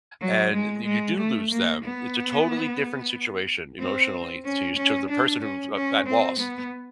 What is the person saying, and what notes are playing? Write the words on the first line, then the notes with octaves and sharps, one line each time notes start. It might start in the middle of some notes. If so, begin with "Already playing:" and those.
and you you do lose them, it's a totally different situation emotionally to you s to the person who's at at loss
F#3
G#3
G#3
A3
A#3
B3
C4
C#4
C#4
D4
C#4
C#4
C4
B3